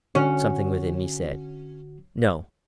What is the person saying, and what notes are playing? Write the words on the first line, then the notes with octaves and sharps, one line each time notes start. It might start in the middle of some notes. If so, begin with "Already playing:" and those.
Something within me said, "No!"
D3 C#4 F#4 F#5